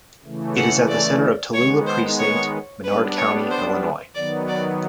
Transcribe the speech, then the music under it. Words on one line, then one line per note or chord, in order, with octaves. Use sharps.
It is at the center of Tallula Precinct, Menard County, Illinois.
C#3 E3 A3
F#5
D5
D#3 G#3 B3 C#5
C5
C#5
G3 B3 D4 B4
C#5
C5
D#3 F#3 B3 D5
D5